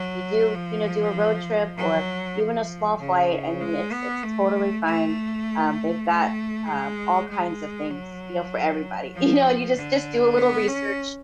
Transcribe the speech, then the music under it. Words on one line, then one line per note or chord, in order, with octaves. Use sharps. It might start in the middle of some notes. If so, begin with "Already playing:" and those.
If you do, you know, do a road trip or even a small flight, I mean, it's it's totally fine. Um, they've got, uh, all kinds of things, you know, for everybody, you know? You just just do a little research
Already playing: F#3
F3
F#3
F3
C#3
G#3
B3
A3
A3
A3
G#3
G#3
F#3
F3
D3
B3
C#4